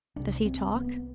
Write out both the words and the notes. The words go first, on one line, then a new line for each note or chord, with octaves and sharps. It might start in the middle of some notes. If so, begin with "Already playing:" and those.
"Does he talk?"
C2 C3 D4
C4
B3